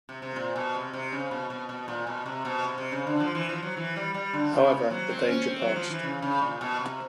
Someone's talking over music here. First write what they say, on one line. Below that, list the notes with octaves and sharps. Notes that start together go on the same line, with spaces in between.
However, the danger passed.
C3
C3
A#2
B2
C3
C3
C#3
B2
B2
B2
A#2
B2
C3
B2
C3
C3
C#3
D3
F3
E3
F3
F#3
E3
G3
G3
D3
C#3
C3
F#3
C4
C#4
C4
F#3
F3
E3
C#3
C#3
A#2
B2
C3